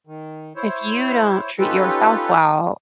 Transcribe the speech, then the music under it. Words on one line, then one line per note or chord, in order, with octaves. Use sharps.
if you don't treat yourself well,
D#3
E4 C5 C#5
C#4 D#4 F4 G4 A4 B4